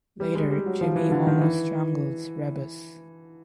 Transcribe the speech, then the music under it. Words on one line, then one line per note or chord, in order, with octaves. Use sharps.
Later Jimmy almost strangles Rebus.
G3
G#3
G3
F#3
F3
E3
D3
D#3
E3